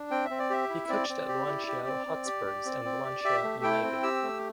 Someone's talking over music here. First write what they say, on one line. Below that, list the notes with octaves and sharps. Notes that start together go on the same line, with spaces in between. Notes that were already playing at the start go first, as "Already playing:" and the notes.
He coached at Luanshya Hotspurs and Luanshya United.
Already playing: D4
C4 G5
E5
C4
D5
G4 E5
E4
C4 D5
C4
G4
E4
G4
C4
C4
G4
G4
C4
C4
G4
G4 E5
A3
E4 G5
C4
G4 E6
A3